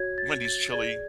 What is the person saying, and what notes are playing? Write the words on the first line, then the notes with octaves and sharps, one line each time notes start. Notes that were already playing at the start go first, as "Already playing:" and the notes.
Wendy's chili,
Already playing: F#4 C#5 G#6
A6
A6
G#4 D5 G#6